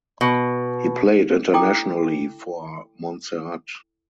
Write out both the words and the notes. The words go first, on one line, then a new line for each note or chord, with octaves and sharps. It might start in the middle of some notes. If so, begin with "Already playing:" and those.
He played internationally for Montserrat.
B2
E4 A4 G5 D6